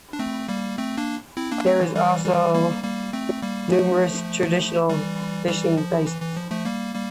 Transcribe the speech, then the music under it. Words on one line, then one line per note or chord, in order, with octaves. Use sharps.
There are also numerous traditional fishing bases.
D4
A3 C4
G3 A#3
A3 C4
A#3 D4
C4 E4
A#3 D4
A3 C4
E3
E3 G3
E3 G3
G3 A#3
G3 A#3
A3 C4
G3 A#3
F3 A3
E3 G3
E3 G3
F3
E3
E3
F3
F3 A3
G3 A#3
G3 A#3